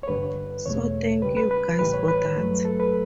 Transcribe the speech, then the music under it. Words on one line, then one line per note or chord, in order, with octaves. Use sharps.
So thank you guys for that.
C#5
G2 D3 G3 B4
E2 B2 A3 C#5
C#2 C#3 G3 B4
B4
B4
A2 E3 G3 B4
C#5
B4
G2 F#3 A3
A4
B4